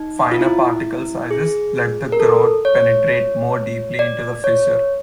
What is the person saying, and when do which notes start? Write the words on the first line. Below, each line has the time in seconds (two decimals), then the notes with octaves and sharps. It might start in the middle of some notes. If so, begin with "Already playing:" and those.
Finer particle sizes let the grout penetrate more deeply into a fissure.
Already playing: D#4
0.32 F4
0.41 E4
1.31 G#4
2.12 A#4
2.20 A4
2.65 C#5
3.99 D5
4.44 C#5